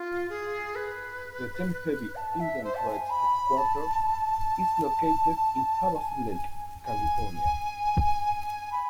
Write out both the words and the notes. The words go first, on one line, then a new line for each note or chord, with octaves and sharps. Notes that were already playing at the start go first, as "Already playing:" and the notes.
The Chemehuevi Indian Tribe's headquarters is located in Havasu Lake, California.
Already playing: F4
G#4
B4
A5
E5
C5
A5
G#5
B5
A5
A5
G#5
G#5
B5